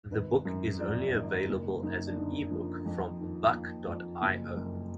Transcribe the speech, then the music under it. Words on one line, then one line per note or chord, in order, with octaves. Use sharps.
The book is only available as an ebook from Buk dot io.
G#1 B4
F#2
F3 D5
G#1
F#1 A#4
F#2 D#4
D4
D3 D#4
F3
F2
D#3
A#3
F2
F#1
F#2